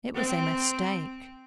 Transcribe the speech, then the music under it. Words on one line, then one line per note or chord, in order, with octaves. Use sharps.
It was a mistake.
C4